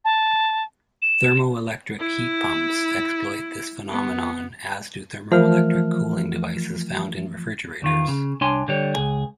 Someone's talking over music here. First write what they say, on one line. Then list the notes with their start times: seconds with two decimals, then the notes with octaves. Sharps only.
Thermoelectric heat pumps exploit this phenomenon, as do thermoelectric cooling devices found in refrigerators.
0.05 A5
1.02 E7
1.99 E4
3.90 B3
5.32 E3 F3 A3 A#4 F6
7.82 E2 D#3 F4
8.08 C#3
8.41 C2 D4 C#5 G#5 C6
8.68 D3 G3 C#5
8.95 C#2 G#4